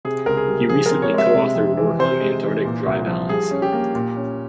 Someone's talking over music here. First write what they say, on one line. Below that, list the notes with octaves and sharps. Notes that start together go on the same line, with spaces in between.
He recently co-authored work on antarctic dry valleys.
C3 G#4
C#2 A#4
G#4
G3
F3 G#4
C4 A#4
C#5
G#3 E5
C3
F2
E3
C3 C5
G#3
E3
A#2
C2
F3
G3 G#4
C#4
G4
A#3
A#2
C#4